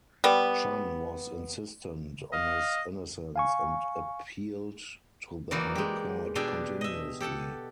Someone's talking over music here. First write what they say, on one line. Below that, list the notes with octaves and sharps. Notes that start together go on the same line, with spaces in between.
Chan was insistent on his innocence and appealed to the high court continuously.
G3 B3
D#5 F5
F5 G#5 C#6
E3 A#3 D#4 F#4 D5
G#3 G4
B2 D4 G4 G#4 D5 E5
D#5 E5
G4 A4 F#5 A5